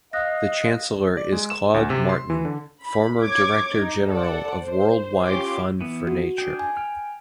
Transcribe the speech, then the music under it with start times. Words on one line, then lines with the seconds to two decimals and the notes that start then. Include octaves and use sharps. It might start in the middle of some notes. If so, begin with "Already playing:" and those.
The chancellor is Claude Martin, former Director General of World Wide Fund for Nature.
0.13 D#5 F5 D#6 F#6 A#6
1.17 D5
1.32 G#3
1.50 E7
1.74 D2
1.90 C3
2.09 C6
2.30 E3
2.45 D3
2.84 B5
3.23 C#5 D6 G#6
3.77 D#4
4.11 A4 D5 F#5
4.62 C5
5.27 C#4 F4 G4 C6 D6
5.81 E3 B3
6.07 F#4
6.38 D4 G#4 G5
6.59 G#5
6.77 G5 F6